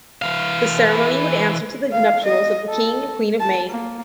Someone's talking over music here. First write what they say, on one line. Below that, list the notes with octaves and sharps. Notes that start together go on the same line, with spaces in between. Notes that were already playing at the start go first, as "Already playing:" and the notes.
The ceremony would answer to the nuptials of the King and Queen of May.
E3 F5
F5
D#5
A4
A5
A#3